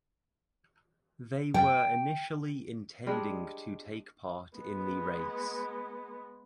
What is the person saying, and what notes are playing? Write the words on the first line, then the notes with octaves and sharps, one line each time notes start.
They were initially intending to take part in the race.
G5
G3 G#3 D4
G#3 B3